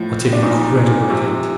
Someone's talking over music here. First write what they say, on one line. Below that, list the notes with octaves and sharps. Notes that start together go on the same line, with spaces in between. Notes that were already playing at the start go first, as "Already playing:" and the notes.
"What an incredible event!"
Already playing: A2 F3
D4
A#2 F3 D#4
C3 F3